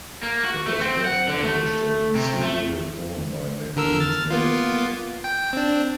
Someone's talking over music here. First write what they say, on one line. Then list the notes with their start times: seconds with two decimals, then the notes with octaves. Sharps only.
It was first published in serial form by "Maclean's" magazine.
0.23 A#3
0.44 F#4
0.67 A3
0.82 C4
1.05 F#5
1.28 D3
1.43 A3
2.15 C3
2.43 A3
3.76 D3 A#4 E6
4.00 F6 A6
4.30 A#3 B3 F4
5.24 G5
5.53 C4 D4